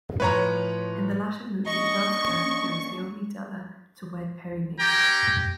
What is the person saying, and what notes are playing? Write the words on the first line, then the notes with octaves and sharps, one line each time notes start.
In the latter movie Dodd's character was the only Della to wed Perry Mason.
A2 F3 B4 C#5 A#5
A#3 C#4 D4 D#5 C#6
C#4 G4 G5 A#5